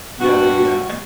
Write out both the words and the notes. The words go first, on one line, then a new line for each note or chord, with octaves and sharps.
Yeah, yeah,
G2 F#4 F#5